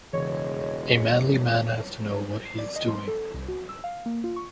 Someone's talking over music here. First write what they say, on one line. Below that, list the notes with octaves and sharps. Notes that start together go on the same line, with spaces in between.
A manly man has to know what he is doing.
E1 C#3 E3 G#3 C#5
C7
D5
D#5
C6
A4
C2
F#4
E6
F5
A#3
F4
C#6